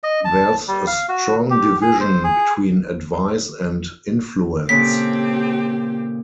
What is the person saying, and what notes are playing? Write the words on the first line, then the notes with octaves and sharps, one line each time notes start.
There's a strong division between advice and influence.
D#5
A5
G3
F5
F#4
G4
G#4
C5
G#4
A#2 C#3 C4 G4 A4 B6